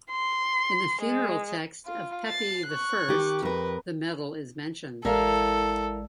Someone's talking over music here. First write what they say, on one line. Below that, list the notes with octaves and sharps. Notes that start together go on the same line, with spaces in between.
In the funeral text of Pepi the First, the metal is mentioned.
C6
G#3
F4
A6 C7
C#6 F#6
D#3 G4
F2 A#4 B4
A1 G#3 E4 A4 A#4 D5 F5